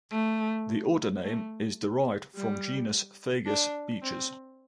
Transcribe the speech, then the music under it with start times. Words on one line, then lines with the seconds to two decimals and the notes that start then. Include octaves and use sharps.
The order name is derived from genus "Fagus", beeches.
0.12 A3
1.23 A3
2.35 G3
3.46 D4
4.02 C4